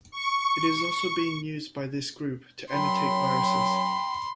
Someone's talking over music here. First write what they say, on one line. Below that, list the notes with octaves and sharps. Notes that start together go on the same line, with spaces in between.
It is also being used by this group to annotate viruses.
C#6
F#2 F#3 G5 B5 C6